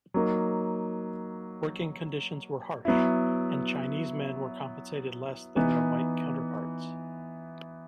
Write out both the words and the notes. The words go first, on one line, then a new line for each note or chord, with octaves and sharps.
Working conditions were harsh, and Chinese men were compensated less than their white counterparts.
F#3 A#3 D#4
F#3 B3 E4
E3 B3 D#4